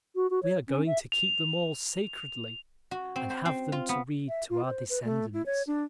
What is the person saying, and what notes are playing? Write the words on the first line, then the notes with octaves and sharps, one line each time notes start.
We are going to keep them all sacredly and have them to read to our descendants.
F#4
F#4
C#5
C#4
E5
F7
F#4
C4
C5
C4
F4
B3
E5
F4
C5
B4
A3
E4
C#5
D4